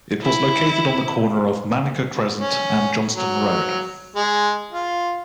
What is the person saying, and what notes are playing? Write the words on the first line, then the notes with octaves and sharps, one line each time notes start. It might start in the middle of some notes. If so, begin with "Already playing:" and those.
It was located on the corner of Manuka Crescent and Johnston Road.
E4
C#4
F#3
G#3
F4